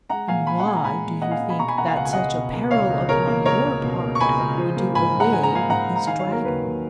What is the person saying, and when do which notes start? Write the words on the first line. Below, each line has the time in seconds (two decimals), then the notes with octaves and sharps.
"And why do you think that such a peril upon your part would do away with this Dragon?"
0.09 G#3 F#5 A#5
0.28 A#2 F5 G#5
0.47 A#2 G#5 B5
0.60 F#5
0.66 G#3 G#5
0.76 A#5
0.84 G#3 G#5 B5
1.03 A#2
1.21 A#2 D#5 F#5
1.31 F5 G#5
1.40 G#3
1.49 G#5 B5
1.59 B2 A#5 C#6
1.68 G#5 B5
1.77 A#3 F#5 A#5
1.87 F5 G#5
1.97 C#2 F#5
2.05 G#5
2.13 C#2 D#5 F#5
2.34 B2
2.53 A#3
2.71 C#2 C#5 F5
2.90 C#2
3.09 B2 A#4 C#5
3.27 A#3
3.46 C#2 A#4 C#5
3.65 C#2
3.84 B2
4.02 A#3
4.15 C#6
4.20 C#2 G#5 B5
4.39 C#2
4.57 F3
4.76 A#3
4.95 G#2 G#5 B5
5.14 G#2
5.20 F#5 A#5
5.32 F3 G#5
5.43 A#5
5.51 A#3 F5 G#5
5.69 G#2 F#5 A#5
5.88 G#2
5.96 A#5
6.07 D#3 F5 G#5
6.19 C#5 F5
6.26 F#3
6.32 A#4
6.45 D#2 B4
6.63 D#2